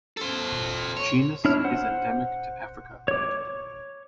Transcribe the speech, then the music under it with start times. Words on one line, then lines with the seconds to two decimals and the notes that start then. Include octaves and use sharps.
The genus is endemic to Africa.
0.17 A4 C5
0.97 C#5
1.45 D4 E4 C#5 F6
1.64 C5 F#5
3.08 C#5 D6